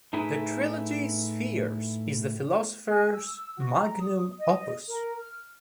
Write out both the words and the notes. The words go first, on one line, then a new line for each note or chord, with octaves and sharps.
The trilogy "Spheres" is the philosopher's magnum opus.
A2 D#4 E4 G#4 B4
G#5
E6
F#4
A#5
D#6
D#5
A#4
F6